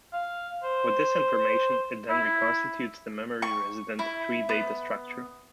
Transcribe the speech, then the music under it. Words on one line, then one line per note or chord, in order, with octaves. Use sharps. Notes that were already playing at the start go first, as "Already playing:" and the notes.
With this information it then reconstitutes the memory-resident tree data structure.
F5
C5
E4
C#6
E4
B3